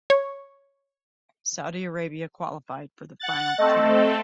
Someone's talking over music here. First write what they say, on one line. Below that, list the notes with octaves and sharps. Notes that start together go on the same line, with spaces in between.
Saudi Arabia qualified for the final tournament.
C#5
F#5 F#6 A6
A3 C4 A4 D#5